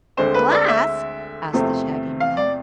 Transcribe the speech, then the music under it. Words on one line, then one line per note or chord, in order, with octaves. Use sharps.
"Glass?" asked the Shaggy Man.
D2 D3 G#3 C4 C5
B4
D5
E5
E2 C3 F3 A3 C4
F5
D5